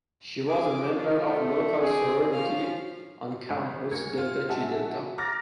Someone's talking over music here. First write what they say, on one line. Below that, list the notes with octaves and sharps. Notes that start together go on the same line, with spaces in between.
She was a member of a local sorority on campus, Delta Chi Delta.
G#4 D6
F3
A3
C4 G#4 D6
F3 C#4 F5
G#1
D2 A#4 G#6 C#7
F4
G#3 F#4 E5 F#5 G#5 A5
A#5 D6 F6 A6 A#6